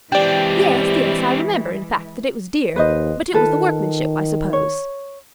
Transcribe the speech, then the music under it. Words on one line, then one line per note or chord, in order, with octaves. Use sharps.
"Yes, yes; I remember, in fact, that it was dear; but it was the workmanship, I suppose?"
E3 G#3 C4 D4 G4 D5 G5
D#2 B4 C5 D#5
D#3 F4 A4 B4
C#5